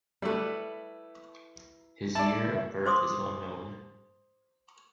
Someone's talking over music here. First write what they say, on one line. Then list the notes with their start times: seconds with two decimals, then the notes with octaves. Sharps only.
His year of birth is unknown.
0.22 G3 A3 E4 B4
2.15 E4 D5 A5
2.85 C5 C6 D6 D#6